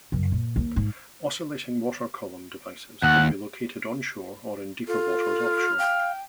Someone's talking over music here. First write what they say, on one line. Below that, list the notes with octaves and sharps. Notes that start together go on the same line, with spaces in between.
Oscillating Water Column devices can be located on shore or in deeper waters offshore.
F#2 C#3
A#2
D#2 A#3
G#2
D#2 F#5
F4 A4
F6
F5 G5